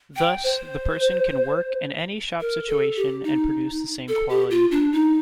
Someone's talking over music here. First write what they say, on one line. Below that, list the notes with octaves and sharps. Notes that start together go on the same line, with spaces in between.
Thus, the person can work in any shop situation and produce the same quality.
G5
C5
A#4
A4
G4
D#4
A4
G4
F4
D4
D#4